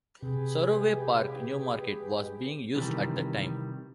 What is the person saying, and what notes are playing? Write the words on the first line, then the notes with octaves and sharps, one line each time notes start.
Saroway Park Newmarket was being used at the time.
C3 G4 G#4 B4
C3 D#3 E3 G3